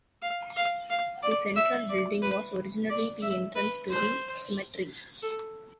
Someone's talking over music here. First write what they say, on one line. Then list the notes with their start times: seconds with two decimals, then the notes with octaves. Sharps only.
The central building was originally the entrance to the cemetery.
0.22 F5
0.56 F5
0.90 F5
1.23 D5
1.56 E5
1.89 D5
2.22 B4
2.90 D5
3.22 E5
3.55 B4
3.89 C5
5.22 A4